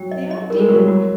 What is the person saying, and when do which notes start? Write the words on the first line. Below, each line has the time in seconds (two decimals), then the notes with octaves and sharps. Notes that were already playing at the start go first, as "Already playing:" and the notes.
The idea!
Already playing: F#3 G5
0.11 D#5
0.31 D#5
0.50 G3 A#4
0.59 G#3
0.69 F#3 A#4
0.78 G3
0.87 F#3 F#4